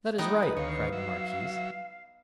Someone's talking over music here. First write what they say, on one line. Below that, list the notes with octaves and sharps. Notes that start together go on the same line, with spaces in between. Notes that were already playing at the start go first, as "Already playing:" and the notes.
"That is right," cried the marquise.
A3 B3 D#4 G5
B4
D2 D#3 B4 C#5 F5
F#3 E5